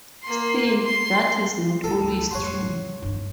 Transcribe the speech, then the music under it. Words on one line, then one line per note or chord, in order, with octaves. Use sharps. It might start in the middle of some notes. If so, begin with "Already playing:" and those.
Still, that is not always true.
A#3 C6
C6
D2 D#3 A4
F2 A2 C#5 F#5 C6
C#3 F#3
G1 D#3